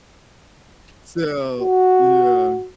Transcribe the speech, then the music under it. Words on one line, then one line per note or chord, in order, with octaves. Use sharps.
So, yeah.
F#4